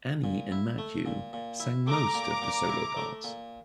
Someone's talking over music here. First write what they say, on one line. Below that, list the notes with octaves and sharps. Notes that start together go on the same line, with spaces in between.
Annie and Matthew sang most of the solo parts.
A#2
E4
A3
A#2
A#2
E4
A3 A#5 D6
A#2
A#2
E4
A3
A#2